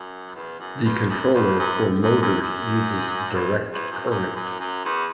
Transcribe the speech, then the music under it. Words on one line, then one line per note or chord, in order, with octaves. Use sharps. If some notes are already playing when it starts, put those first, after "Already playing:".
The controller for motors uses direct current.
Already playing: F#2
E2
F#2
E2
F#2
E2
F#2
F#2
F#2
F#2
E2
E2
F#2
F#2
F#2
F#2
E2